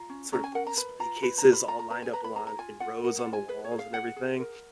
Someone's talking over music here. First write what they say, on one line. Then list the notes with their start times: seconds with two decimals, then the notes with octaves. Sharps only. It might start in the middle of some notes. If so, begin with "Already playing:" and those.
sort of, like, display cases, all lined up along in rows on the walls and everything.
Already playing: F4 A#5
0.09 C#4
0.32 C#4 A#5
0.44 G#5
0.55 A#4 F#5
0.67 A#5
0.77 B4 B5
0.99 F4 A#5
1.22 B4 B5
1.38 A#5
1.45 F4
1.53 B5
1.68 F4 A#5
1.79 A#5
1.90 B4 A#5
2.02 G#5
2.13 B4 A#5
2.24 B5
2.36 G#4 A#5
2.47 A#5
2.58 F4 G#5
2.80 F4 F#5
3.03 A#4 F#5
3.19 F#5
3.26 F4
3.33 G#5
3.48 G#4 B4
3.64 C#5
3.71 G#4
3.79 F5
3.94 G#4 F#5
4.16 G#4
4.39 A#4